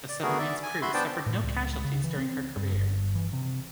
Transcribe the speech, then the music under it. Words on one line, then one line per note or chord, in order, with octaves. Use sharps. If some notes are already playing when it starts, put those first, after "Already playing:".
The submarine's crew suffered no casualties during her career.
D5
A3 B3 F#4 G#4 A#4
D5 E5
G#5
F#4 E5 B5 C6
B3 D4 C5 D5 G5 A5
A2
C#2
C#3
E3
C4
G2
G1
E3
C3